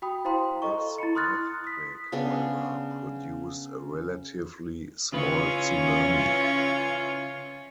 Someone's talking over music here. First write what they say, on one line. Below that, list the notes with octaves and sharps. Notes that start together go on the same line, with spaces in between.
This earthquake, however, produced a relatively small tsunami.
F#4 G5 B5 D#6
E4 C5 F5 G5 A#5 C6
A4 D#5 A#5 C#6
E4 A#5 B5 C#7
C6 D#6 F6 F#6 A6
D#6 B6
C#3 B3 D4 G#4
C#3 E3 C#4 F4 B4 C#5